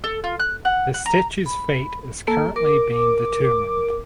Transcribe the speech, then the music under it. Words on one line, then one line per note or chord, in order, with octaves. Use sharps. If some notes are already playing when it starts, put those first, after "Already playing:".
The statues fate is currently being determined.
A4
F4
F#6
F#5
F#5
A#5
B5
A#3 A4
A#4 D6